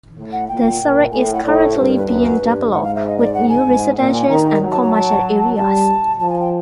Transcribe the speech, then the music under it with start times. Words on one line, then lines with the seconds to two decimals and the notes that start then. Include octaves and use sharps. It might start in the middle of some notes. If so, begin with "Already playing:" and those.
The suburb is currently being developed with new residential and commercial areas.
0.17 A2
0.32 F#5
0.48 A#2 G5
0.81 A#2
1.11 A2 G#5
1.23 G5
1.33 F#5
1.43 A2 D5
1.48 C#5
1.75 G2 C5
1.86 A#4
1.97 B4
2.07 F#2 B4
2.39 G2
2.71 G#2 F#5
2.83 F5
2.95 E5
3.07 D#5
3.18 D5
3.34 F#5
3.49 G#5
3.65 G#2
3.97 A#2 G5
4.13 G#5
4.29 D#3 A#5
4.44 A#5
4.60 F#3
4.71 A5
4.82 A#5
4.93 A5
5.55 G3 A5
6.19 F3 A5
6.29 G#5
6.40 G5